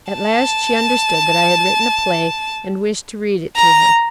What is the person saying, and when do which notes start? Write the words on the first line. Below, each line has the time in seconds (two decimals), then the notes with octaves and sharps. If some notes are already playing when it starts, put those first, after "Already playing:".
At last she understood that I had written a play, and wished to read it to her.
0.12 A5
3.56 A#5